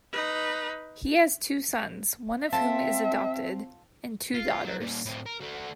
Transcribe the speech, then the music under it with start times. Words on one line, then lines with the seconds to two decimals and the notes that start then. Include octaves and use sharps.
He has two sons, one of whom is adopted, and two daughters.
0.12 D#4 B4
2.52 C4 F4 A4 E5 A5
4.34 F4
4.65 F#3
4.80 A#2 G3
5.06 A2 C4
5.26 A#4
5.41 A3 F#4